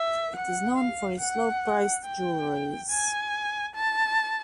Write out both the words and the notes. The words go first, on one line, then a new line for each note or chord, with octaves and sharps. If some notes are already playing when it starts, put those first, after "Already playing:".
It is known for its low-priced jewelries.
Already playing: E5
F#5
F5
F#5
G5
G#5
A5